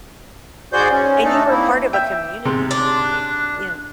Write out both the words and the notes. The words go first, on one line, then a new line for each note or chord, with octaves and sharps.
And you were part of a community. Ye yeah.
G#2 F#4 G#4 C5 D5 G6
C#4
A3 D4 D#4 A4
A#3 C4 E4
E5 G5
G#2 C3 C6
D4
F#6